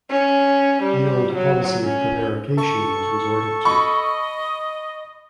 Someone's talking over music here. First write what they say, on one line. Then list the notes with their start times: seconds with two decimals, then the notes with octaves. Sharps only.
The old policy of prevarication was resorted to.
0.10 C#4
0.83 G3
1.34 F#3
1.84 C#4
2.58 A4 C#6
3.65 D#5 B5 C#6